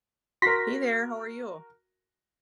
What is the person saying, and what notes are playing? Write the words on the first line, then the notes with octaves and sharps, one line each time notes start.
Hey there, how are you?
F#4 A#4 C6 A#6 B6